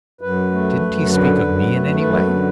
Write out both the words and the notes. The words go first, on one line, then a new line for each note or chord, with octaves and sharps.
"Didn't he speak of me in any way?"
F#2 B4
A3
F#2
D3 B4
F#2
A3
F#2 B4
D3